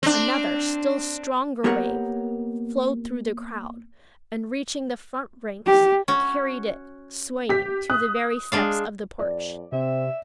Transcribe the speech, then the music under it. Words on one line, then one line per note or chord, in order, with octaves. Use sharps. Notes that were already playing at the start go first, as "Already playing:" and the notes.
Another still stronger wave flowed through the crowd and reaching the front ranks carried it swaying to the very steps of the porch.
C4 D4
A#3 B3 G4 A#4 C#5 F#5
G4
C#4 F#4
G4 B6
D#6 F#6
G#3 D4 F5
F2 D5
C3 C4 E5